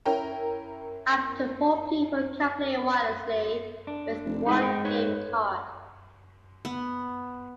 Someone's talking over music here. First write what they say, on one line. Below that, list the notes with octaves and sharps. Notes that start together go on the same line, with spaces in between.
Up to four people can play wirelessly with one game card.
C#4 E4 A#4 G5 A#5
D4
F1
G#2 D#4 E4 B4
D#4 G5
B4 C#5
B3